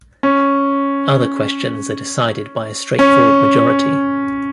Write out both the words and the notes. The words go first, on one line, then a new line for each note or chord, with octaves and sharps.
Other questions are decided by a straightforward majority.
C#4
C#4